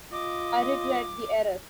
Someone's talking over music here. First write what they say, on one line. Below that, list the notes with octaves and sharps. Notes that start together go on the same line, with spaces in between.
I regret the error.
F4 D#5 D6